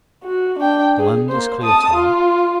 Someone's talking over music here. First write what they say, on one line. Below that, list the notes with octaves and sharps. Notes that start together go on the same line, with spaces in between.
The land is clear to-night.
F#4
D4 G5
G#4
A#3 C5
A5 D#6
F4